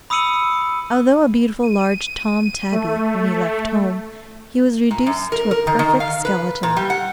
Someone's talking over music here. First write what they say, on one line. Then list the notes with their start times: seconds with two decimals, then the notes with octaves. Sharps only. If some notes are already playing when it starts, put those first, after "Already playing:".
Although a beautiful large Tom tabby when he left home, he was reduced to a perfect skeleton.
0.10 B5 D#6 E6 C#7 D#7 F#7
1.62 D#7
2.71 A3
4.91 A#2
5.06 F#2
5.32 A#4
5.51 A#4
5.67 D#3
5.79 D#3
6.00 F5
6.25 B4
6.63 A#2
6.77 G3
6.90 F#5